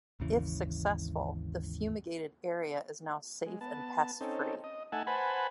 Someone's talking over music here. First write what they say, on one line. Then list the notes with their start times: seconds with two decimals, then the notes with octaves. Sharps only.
If successful, the fumigated area is now safe and pest free.
0.20 G#1 D#2 C#3 E3
3.46 G#3
3.61 B3 A5
4.21 C4 C#4 D#4 A4
4.64 D#5
4.92 A3 D#4 E5 F#5 G#5 A5
5.07 B4 C5 F#5 G#5 A5 B5